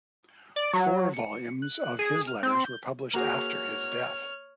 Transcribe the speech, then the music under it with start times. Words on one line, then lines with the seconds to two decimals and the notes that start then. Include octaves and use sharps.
Four volumes of his letters were published after his death.
0.56 D5
0.73 F#3
1.13 C#7
1.62 F#6
1.99 G#4
2.27 F6
2.43 C4
2.65 G6
3.14 A#3 F#4 G#4 C#5 F6